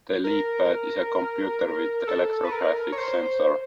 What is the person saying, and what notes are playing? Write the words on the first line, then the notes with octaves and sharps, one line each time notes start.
The LeapPad is a computer with electrographic sensor.
A#4
A4
B4
A#4
C#5
C5